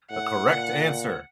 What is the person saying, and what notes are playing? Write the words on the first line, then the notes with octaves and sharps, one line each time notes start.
the correct answer."
A2 F#5
A#2